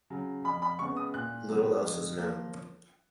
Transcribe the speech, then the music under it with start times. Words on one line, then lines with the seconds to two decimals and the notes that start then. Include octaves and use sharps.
Little else is known.
0.10 C#3 F#3
0.44 F2 B5
0.62 B5
0.79 C#3 G#3 B3 C#6
0.97 D#6
1.14 A#2 F#6
1.49 F#3 B3
1.83 F2
2.18 F3 A#3